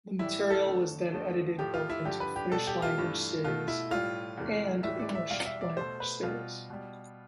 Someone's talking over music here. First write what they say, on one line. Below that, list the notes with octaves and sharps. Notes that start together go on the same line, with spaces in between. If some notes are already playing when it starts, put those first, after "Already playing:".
The material was then edited both into Finnish-language series, and English language series.
A2 E3 G3 E4
A4
F2 D3 A3
F2 D3 F3 A3
A2 F3 A3 G4
F4
E4
G2 D3 F3 G4
B4
G4
B2 G3 A4
G4
F4
G2 E3 A3
B2 A3 F4
E4
A2 G3 F4
E2 C3 E3 A3
A2 E3 G3 E5
D5
E5
E2 B2 G3 F5
E5
D5
B2 A3 C5
B4
B2 G3 F4
B2 G3